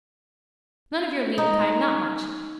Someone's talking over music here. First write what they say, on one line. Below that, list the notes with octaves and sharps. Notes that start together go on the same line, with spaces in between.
None of your lean kine, not much.
D#4